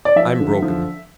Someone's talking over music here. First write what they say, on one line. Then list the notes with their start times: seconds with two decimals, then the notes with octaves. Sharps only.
I'm broken.
0.05 D5
0.16 F3 E5
0.40 D3
0.62 F3